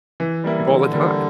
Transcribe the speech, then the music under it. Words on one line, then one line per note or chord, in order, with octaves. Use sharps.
people all the time.
E3
G3 A#3 E4
D3 E3
G3 A#3